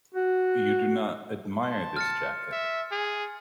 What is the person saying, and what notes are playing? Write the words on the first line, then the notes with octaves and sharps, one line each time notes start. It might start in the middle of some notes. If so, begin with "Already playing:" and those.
You do not admire this jacket?
F#4
A5 C6
F6 A6 C#7
E5
G#4